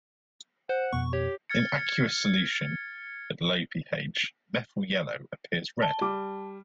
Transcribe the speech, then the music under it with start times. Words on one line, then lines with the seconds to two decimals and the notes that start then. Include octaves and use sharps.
In aqueous solution at low pH, methyl yellow appears red.
0.69 C5 F#5
0.93 F2 B2 B3 C#6
1.13 G4 C#5
1.50 F6 G#6 A6 C#7
5.82 A5 G7
6.01 G3 D6